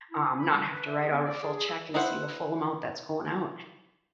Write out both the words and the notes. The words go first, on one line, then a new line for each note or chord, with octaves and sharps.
um, not have to write out a full check and see the full amount that's going out.
E4
G#5
B5
G3
B4
E5
G#4
B3
D5
G#4
G#4
E6
D#4 E4 B4 C5 F#5